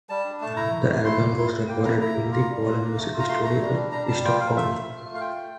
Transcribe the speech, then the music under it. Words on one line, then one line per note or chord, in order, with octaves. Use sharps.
The album was recorded in the Polar Music Studios in Stockholm.
G3 A5
D4
A3 A5
E4 A#5
A3
A3
E4 C6
A#3
E4
E4
A#3 G5
E4 A#5
E4 A#5
A#3
F4 A#5
G3
F4
A#3
A3
F4
A#5
A3 C6
A3 A#5
G3
D4
G3 A#5
G3 A5
F4 G5
F4 F5
A3 E5
A3
F4
A3
F5
F4 G5
A3